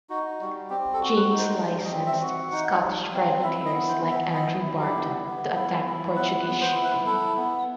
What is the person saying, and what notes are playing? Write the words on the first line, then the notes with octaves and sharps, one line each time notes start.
James licensed Scottish privateers like Andrew Barton to attack Portuguese shipping.
D#4 F#4
G3 F#4
C4 G4
A4
F#4
B4
D#4
C5
G3 C5
D#5
C4
E5
F#4
F#5
D#4
G3
C4
E4 E5
D#5
B3
C5
B3
E5
E4 D#5
E4
G4
B3
B3
E4
E4
B3 B4
B4
B3
C5
E4
B4
E4 A4
B3